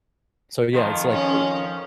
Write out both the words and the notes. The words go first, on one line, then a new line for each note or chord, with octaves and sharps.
so, yeah, it's, like, eh,
F2 D#3 F3
C#4